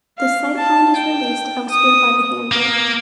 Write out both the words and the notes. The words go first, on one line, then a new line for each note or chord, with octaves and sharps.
The sighthound is released elsewhere by the handler.
F5
A5
G5
D#6
A#3